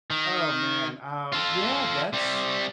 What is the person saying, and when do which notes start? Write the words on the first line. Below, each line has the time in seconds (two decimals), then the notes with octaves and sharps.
Oh, man. Um, yeah. That's
0.10 D#3
1.32 F4 A4
2.13 C3 G3